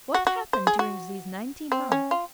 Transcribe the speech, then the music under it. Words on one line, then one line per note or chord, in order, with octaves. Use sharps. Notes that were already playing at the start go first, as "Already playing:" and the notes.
What happened during these nineteen months?
F#4
F#4
C5
G#4
F#4
C4
C#4
F4